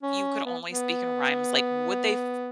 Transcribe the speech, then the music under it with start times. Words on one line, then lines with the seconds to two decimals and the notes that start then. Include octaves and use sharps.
you could only speak in rhymes, like, would they f
0.03 C#4
0.45 B3
0.70 B3